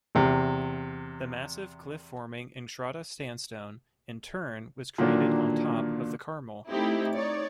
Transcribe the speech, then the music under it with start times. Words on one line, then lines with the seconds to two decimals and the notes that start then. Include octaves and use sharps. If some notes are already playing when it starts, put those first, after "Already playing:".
The massive cliff-forming Entrada Sandstone in turn was created on top of the Carmel.
0.15 E2 C3
4.98 A#2 D3 D#3 F#3 A#3 D4
6.69 A3 C4 D#4 E4 G4
7.14 D#4 C#5 D5